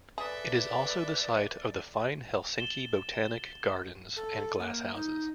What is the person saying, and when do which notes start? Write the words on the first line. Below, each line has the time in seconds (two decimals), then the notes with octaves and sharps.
It is also the site of the fine Helsinki Botanic Gardens and glasshouses.
0.18 G#4 A4 B4 D5 E5
2.56 A6 E7 G7
4.16 A4
4.59 A#3
4.95 D#4